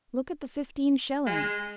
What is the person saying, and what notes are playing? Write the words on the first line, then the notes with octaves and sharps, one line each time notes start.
Look at the fifteen shillings!
G#3